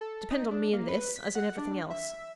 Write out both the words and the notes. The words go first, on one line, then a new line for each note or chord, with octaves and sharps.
Depend on me in this, as in everything else.
A4
D#4
D4
A#3
B4
B6
F#5
D4
E5